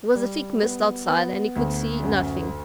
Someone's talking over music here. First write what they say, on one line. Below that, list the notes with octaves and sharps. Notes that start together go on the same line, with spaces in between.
There was a thick mist outside and he could see nothing.
G3
B3
B3
D2
F#2